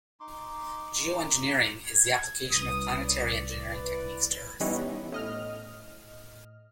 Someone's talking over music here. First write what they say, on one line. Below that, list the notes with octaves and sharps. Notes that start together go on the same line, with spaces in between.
Geoengineering is the application of planetary engineering techniques to Earth.
D#4 C6 D6
G#6
C2 C#4 B4 D#6
D5
E3 E4 B4
E3 G3 B3 C#4 D#4 E4
A2 D#5 F6